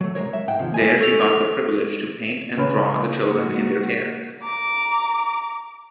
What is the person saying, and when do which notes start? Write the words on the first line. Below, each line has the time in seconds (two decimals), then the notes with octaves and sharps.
There she got the privilege to paint and draw the children in their care.
0.01 F#3 A3
0.15 C2 G#3 A#4 C#5
0.33 E5
0.47 G#2 F#5 G5
0.59 D#2 C3 F3
0.74 G3 G#3 G#5
0.99 A4 C#6 E6 F7
2.57 C#3 C#4 B4
3.22 A#3 F#4
4.43 A#5 D6